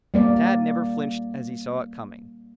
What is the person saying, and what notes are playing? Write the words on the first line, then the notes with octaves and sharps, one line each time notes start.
Tad never flinched as he saw it coming.
G3 A#3 D5